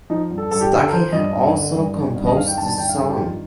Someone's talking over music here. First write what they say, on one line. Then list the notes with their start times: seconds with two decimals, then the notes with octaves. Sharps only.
Stuckey had also composed the song.
0.10 F3 D#4
0.31 G2
0.38 A4
0.51 G2 A4
0.61 G4
0.72 D3 G4
0.82 A4
0.88 A#4
0.93 F3 C5
1.12 G2 D#5
1.34 G2
1.54 D3
1.75 G2
1.96 D#3
2.16 G2
2.26 D#5
2.37 D#3 F5
2.47 G5
2.57 G2 A5
2.68 A5
2.78 D#3 G5
2.89 F5
2.99 G2 A4
3.09 G4
3.19 D#3 F4